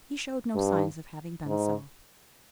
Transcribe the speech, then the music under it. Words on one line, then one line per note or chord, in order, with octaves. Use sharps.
He showed no signs of having done so.
G2
G#2